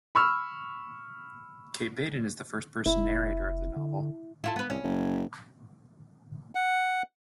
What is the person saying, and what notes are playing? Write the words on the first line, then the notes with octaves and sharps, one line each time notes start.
Kate Vaiden is the first person narrator of the novel.
B5 C#6 E6 F6
F1 E4
D3
E4 F4 A4
B3 B4
C2 C#4
F#1
F#5